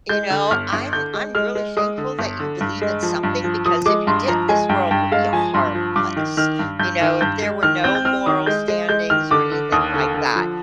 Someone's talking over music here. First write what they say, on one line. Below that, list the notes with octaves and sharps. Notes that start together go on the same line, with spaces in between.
You know, I'm I'm really thankful that you believe in something because if you didn't, this world would be a horrible place, you know, if there were no moral standings or anything like that.
G#3 G6
D3
G1 F6
G1
D3 G6
G#3
G#3 F6
G#3
G#3 D#6
D3
G1
D3
G2
G#3
F3
G2
F3
F3 D#6
G#3 D6
G2 C6
F3 A#5
G#3 G#5
G2 G5
G2 G5
G#3 F5
F3 G#5
G2 C6
F3
G2 D6
D#3
D#3 F6
G2
G2 G6
D#3
G2 G6
G#3
D#3 F6
C4 G6
G6
C4 F6
D#3 D#6
G#3 G6
G#3
G#3 G6
D#3 F6
D3 D6
D3
D#2 D#6
D3
D3
F3